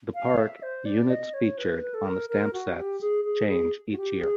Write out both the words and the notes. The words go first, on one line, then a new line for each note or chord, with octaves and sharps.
The Park units featured on the stamp sets change each year.
F5
E5
C5
D5
D#5
C#5
B4
B4
A4
A#4
A#4
F#4
G4
G#4
G#4
G#4
F#4
G4
G#4